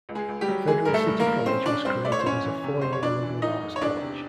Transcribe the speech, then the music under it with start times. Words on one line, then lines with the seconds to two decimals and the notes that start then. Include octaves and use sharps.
Federal City College was created as a four-year liberal arts college.
0.09 C#2
0.15 G#3 G#4
0.28 C#2
0.41 G3 G4
0.48 F#3
0.67 E3 G#3 G#4
0.85 G2 A#4
0.94 A3 A4
1.07 G2
1.19 A#3 A#4
1.26 G2
1.46 C4 C#4 C5
1.66 C#4 D4 D5
1.85 G2 C4 C5
2.05 A3 D5
2.12 C#5
2.19 C5
2.24 F#1 C#4 C#5
2.44 E3
2.64 C3
2.81 F#1 C5
2.92 C#5
3.03 F2 D4 D5
3.23 E3
3.42 E3 D#4 D#5
3.62 F#1
3.76 C#5
3.81 E2 D4 D5
4.01 C3